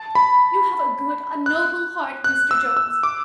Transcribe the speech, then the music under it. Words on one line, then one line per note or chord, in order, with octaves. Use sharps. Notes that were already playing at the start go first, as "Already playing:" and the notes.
You have a good--a noble heart, Mr Jones.
Already playing: A5
B5
F#6
F#6
E6
E6
D6